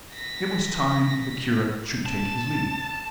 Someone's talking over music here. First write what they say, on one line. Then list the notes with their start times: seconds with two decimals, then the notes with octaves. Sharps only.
It was time the curate should take his leave.
0.12 A#6 B6
2.06 A5